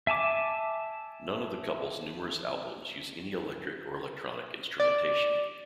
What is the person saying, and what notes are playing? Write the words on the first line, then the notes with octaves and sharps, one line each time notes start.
None of the couple's numerous albums use any electric or electronic instrumentation.
E5 G#5 A5 D6
D5